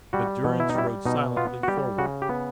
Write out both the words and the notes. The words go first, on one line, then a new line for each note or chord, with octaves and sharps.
But Durrance rode silently forward.
G3 F#4
B2
E4
D#4
G3 E4
B2 D#4
B3 F4
F#4
G3 G4
C#3 F#4
G4
B3